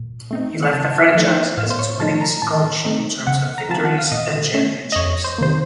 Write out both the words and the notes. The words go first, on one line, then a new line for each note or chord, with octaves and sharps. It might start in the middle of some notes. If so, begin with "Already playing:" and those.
He left the franchise as its winningest coach in terms of victories and championships.
Already playing: A#2
A3 C4 D#4
F#5
C#3 A5
F3 A3 D#4
A2 F5
C5
C#5
F3 A3 D#4 A5
A#5
A2 A5
A3 C4 D#4
C#3 F#5
A#5
F3 C4 F4 A5
F#5
F5
A#2 D#5
A3 C#4
D#5
F2 C#5
C5
C3 D#3 A#3 C5